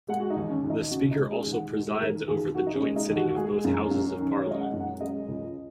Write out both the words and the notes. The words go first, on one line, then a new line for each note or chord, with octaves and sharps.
The speaker also presides over the joint sitting of both Houses of Parliament.
G#3 F#5
F#4
D#4
D#2
C#4
D#2
D#4
C#3 F#4
D#4
G#3
G#4
D#2
F#5
G#3
G#4
D#2 A#4
D#2 G#4
D#3 F#4
D#4
C#4
G#3
D#4
D#2
F#4
F#4
G#3 G#4
F#2
F#2
D#3
C#5
G#3 D#5
F#5
F#2
F#5
G#3 D#5
C#2